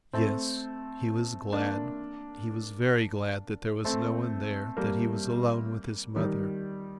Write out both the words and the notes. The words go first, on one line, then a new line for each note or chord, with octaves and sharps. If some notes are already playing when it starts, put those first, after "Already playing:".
Yes, he was glad, he was very glad that there was no one there, that he was alone with his mother.
A3 C4
A#3 D4
A3 C4
G3 A#3
D#3 G3